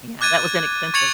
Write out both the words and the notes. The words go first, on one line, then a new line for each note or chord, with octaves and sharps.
Yeah. That was inexpensive.
D6 F#6 G#6 A6 D#7
C#6 G#6 A6 C#7 F7 F#7